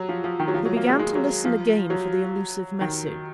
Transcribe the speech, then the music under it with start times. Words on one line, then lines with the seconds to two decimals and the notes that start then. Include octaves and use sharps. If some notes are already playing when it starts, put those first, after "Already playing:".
He began to listen again for the elusive message.
Already playing: F#3 F#4
0.09 F3
0.24 F3
0.40 D#3
0.48 F#3
0.54 F3
0.65 F#3
0.77 A#3
0.88 G#3
0.99 G#3
1.15 F#3
1.45 F3
1.90 F#3
2.81 D#3